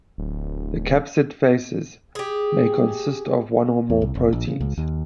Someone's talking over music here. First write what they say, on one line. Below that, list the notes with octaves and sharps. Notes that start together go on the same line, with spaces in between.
The capsid faces may consist of one or more proteins.
D1
G4 G#4
E2
C2
F1
A#1
C#3
C#2
D#2